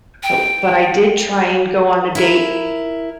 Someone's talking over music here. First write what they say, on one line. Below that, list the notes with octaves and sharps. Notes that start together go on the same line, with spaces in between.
But l but I did try and go on a date,
G5
E4 A#4